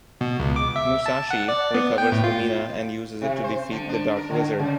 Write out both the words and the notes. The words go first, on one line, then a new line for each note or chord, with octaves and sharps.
Musashi recovers Lumina and uses it to defeat The Dark Wizard.
B2
C#2
D6
E5
A5
F#5
D5
B3
G5
A2
F4
C3
C5
D3
D4
A#4
D3
C#3